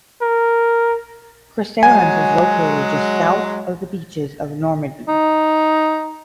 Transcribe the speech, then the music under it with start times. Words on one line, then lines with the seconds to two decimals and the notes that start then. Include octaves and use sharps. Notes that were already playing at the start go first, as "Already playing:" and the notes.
Cresserons is located just south of the beaches of Normandy.
0.22 A#4
1.83 F#3 G#3 G#5
5.08 D#4